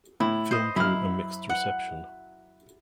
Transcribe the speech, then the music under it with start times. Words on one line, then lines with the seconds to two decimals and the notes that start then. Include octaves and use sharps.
The film drew a mixed reception.
0.20 A2 E4
0.51 C5 D#5
0.76 F#2 E4 F6
1.49 F#5